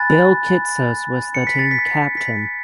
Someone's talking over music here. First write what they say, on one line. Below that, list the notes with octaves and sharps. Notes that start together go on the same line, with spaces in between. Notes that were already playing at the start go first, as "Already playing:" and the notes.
Bill Kitsos was the team captain.
Already playing: G#5 B5 F#6 A6
C#7
B6
A6
B6
B6